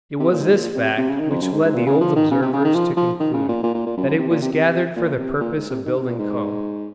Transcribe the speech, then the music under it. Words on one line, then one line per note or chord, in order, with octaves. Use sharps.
It was this fact which led the old observers to conclude that it was gathered for the purpose of building comb.
C3
A#2
G#2
A#2
C3
C3
C#3
D#3
F2
F#2
G#2
G#2
A#2
C#3
F3
D#3
C#3
C3
C#3
D#3
F3
F3
D#3
C#3
A#2
A#2
A#2
A#2
F#2
F#2
C3
A#2
C3
C3
A#2
C3
A#2
G#2
C3
D#3
C3
A#2
G#2